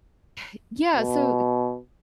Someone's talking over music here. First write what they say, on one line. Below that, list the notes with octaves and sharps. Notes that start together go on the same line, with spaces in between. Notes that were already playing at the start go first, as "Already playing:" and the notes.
eh, yeah, so
B2